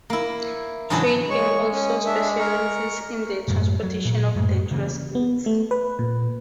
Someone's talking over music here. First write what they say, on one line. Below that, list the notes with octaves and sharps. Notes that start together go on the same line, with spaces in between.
Trade Air also specialises in the transportation of dangerous goods.
A#3 E4
G#2 C#3 E3 F#3 D4 E4
G#3 C#5 C#6
C#4
D4 E5
A#4 A#5 C#6
F#2 A2
F#3
A#2
F#2 A2 G#3
C#3 E3 A#3
B3
A3
B4
A#2